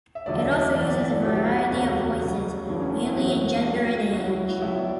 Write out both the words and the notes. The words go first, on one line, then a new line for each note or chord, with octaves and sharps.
It also uses a variety of voices, mainly in gender and age.
E5
E1 D2 D3 F#3 D5
E5
D5
D5
G1 F#2 E3 D5
D5
D5
A4
D2 D3 F#3 G4
G4
F#4
G4
E1 D2 C#3 F#4
G4
D2 C#3 F#3
F#1 E2 C#3 E3 D4
C#4
D4
E4
E2 B2 F#3 F#4
E4
D4
C#2 B2 F#3 A4
D2 C#3 F#3 F#4
E4
E4
F#4
C#2 B2 F#3 E5
D5